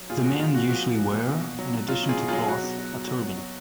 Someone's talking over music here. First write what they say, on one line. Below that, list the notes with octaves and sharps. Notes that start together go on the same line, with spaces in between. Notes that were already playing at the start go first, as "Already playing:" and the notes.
The men usually wear, in addition to cloth, a turban.
Already playing: F#3
A#2 F4 G#4
F3 F#4
A#2 F4
A#2 F#4
F3 F#4
F3
A#2
A#2
B2
B2
F#3
F#3
F#3 F4
B2
F4 G#4
B2
F#3 F4 G#4
B2 F#4
B2
F#3
F#3
F#3
F#3
F#3